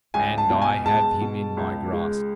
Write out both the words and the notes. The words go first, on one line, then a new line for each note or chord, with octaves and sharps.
And I have him in my grasp!
C#2 G#5
A5
B2
G#5
G#3 A5
B2
C#2
G#3